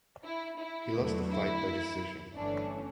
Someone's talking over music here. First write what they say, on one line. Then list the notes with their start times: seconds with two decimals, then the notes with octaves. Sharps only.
He lost the fight by decision.
0.25 E4
0.60 E4
0.95 E2 D3 F#3 A3
1.31 E4
2.36 G1 G2 E3 A3 C#4 D4